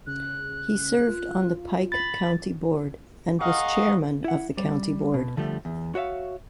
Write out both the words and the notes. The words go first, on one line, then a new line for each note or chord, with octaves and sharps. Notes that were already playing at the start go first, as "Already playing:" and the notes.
He served on the Pike County Board and was chairman of the county board.
C#3 F#6
F4
B5 A6
G#4 A#4 D#5 F5 F#5 C#6
E4 F#5
G3
B2
D3 F3 G3 A3
E2
F#4 C#5 E5 F5